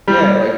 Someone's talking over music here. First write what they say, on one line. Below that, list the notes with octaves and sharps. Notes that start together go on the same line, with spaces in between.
Yeah, like
G3